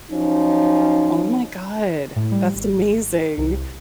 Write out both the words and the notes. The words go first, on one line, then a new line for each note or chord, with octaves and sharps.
Oh my god. That's amazing.
F3 F#3 C#4 D#4
A2
G3
G#1
C2